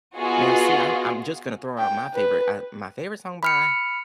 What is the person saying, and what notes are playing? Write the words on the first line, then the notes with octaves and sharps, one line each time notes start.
Now see, I'm I'm just gonna throw out my favorite, uh, my favorite song by,
B3 F4 F#4 G#4 D#5
G5
B4
B5 F6 C#7